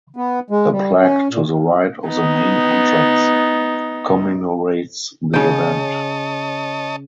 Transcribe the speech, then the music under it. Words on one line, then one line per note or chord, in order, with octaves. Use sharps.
A plaque to the right of the main entrance commemorates the event.
B3
G#3
G3
C#4
A#2
B3 D#4
C#3 C#5 D#5 G5 A5